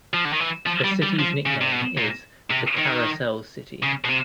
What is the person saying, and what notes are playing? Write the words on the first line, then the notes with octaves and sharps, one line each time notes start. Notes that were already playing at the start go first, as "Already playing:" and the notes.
The city's nickname is "The Carousel City".
F3
D3
D#3
E3
F3
G3
G3
F3
C#3
C3
B2
A#2
C3
D#3
C#3
B2
C3